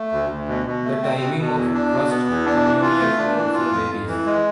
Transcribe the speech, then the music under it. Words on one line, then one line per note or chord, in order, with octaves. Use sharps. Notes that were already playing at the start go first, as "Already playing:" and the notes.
The timing of First Communion also varies.
Already playing: A3
D2
D2
B2
B2
A3
C4
B2
B2
E2
D4
B2
B3
E2
D4
E3
F4
A3
D4
E3
F4
F2
F2
E3
G#3